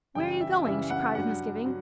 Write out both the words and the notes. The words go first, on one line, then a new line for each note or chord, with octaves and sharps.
"Where are you going?" she cried with misgiving.
F#2 C#3 E3 G3 G5
E5
F#2 C#3 E3 G3 E5
F#5
G2 F#3 F#5
F#3